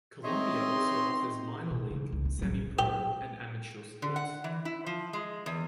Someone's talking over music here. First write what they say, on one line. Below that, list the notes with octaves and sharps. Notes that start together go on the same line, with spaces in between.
Columbia also offers minor league, semi-pro, and amateur sports.
C4 D#4 C#5 D#5 E5 C6
B2
C#3 A3
C#2
B3
A1 F#3
C#2
G4
D3
F#5
E3
E4
F3
G#3
E2